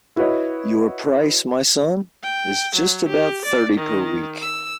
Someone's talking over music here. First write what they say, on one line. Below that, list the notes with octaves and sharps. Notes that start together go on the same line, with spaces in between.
Your price, my son, is just about thirty per week.
E4 F#4 B4 C#5 D#5
G5
F#3
G4
D5
D#3
E6